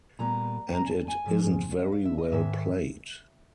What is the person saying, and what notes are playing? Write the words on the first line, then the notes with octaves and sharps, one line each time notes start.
And it isn't very well played.
A#2 G3 B3 A#5
A#5
G#5
A5
G#5
G#2 F3 G#3
D#5
F5
E5
D#5
G#2 D#3 G#3 E5